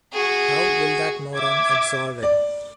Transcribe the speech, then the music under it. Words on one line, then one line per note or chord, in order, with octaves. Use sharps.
How will that moron absolve it?
F#4 G#4
E5 D6 G#6
D5